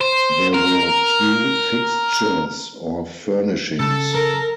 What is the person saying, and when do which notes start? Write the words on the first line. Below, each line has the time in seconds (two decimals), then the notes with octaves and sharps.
There were few fixtures or furnishings.
0.01 C5
0.54 A#4
3.80 C#3 A4
4.12 A#4